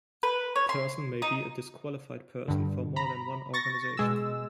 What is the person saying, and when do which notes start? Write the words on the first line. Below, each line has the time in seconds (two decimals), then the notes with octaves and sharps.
A person may be a disqualified person for more than one organization.
0.23 B4
0.56 C#5
0.69 C6
1.22 D#4
2.48 G2 D3
2.96 A#5 B5
3.54 C#6 A6 A#6
3.97 B2 G#3 E6